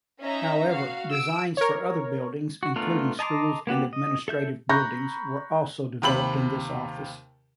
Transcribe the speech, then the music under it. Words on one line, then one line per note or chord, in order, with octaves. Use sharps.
However, designs for other buildings, including schools and administrative buildings, were also developed in this office.
C#4 D#4 E5 A#5
F#4 F5
E6 D7
A#4 C#5
F#4
A3 B3 D4 F4 A#4
D#5 A5 A#5 C6 D6
A#3 B3 F#4 G4
D#5
A4 E5 G6
A#5 B5 C#6 F#6 G6 A#6
D#2 C3 B5 F#7